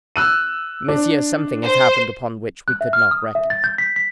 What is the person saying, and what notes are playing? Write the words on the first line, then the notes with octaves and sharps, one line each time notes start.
"Monsieur, something has happened upon which we could not reckon."
E6 F#6 D#7
D4
C5
F#6
E5
F6
D#6
E5
A6
G6
B6
B6